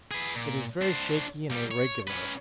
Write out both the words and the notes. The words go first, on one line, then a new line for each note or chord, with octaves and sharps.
It is very shaky and irregular.
G#4 B4
A#2
D4 C5
A#2 G3
C#5
C#4 B4